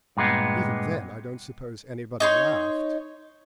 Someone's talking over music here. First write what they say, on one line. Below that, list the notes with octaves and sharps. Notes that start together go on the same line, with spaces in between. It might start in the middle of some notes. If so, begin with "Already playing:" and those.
"Even then I don't suppose anybody laughed."
G2 A#2 G#3 B3
D#4 C#5 C6